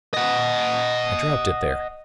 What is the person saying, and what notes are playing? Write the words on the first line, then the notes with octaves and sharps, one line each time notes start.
"I dropped it there."
D#5 F#5